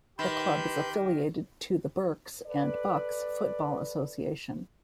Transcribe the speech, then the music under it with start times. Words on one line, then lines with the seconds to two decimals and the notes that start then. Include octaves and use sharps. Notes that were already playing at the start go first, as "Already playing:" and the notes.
The club is affiliated to the Berks and Bucks Football Association.
0.19 D#3 G4 B4 B5 C6 G6
2.47 A4 B4 D5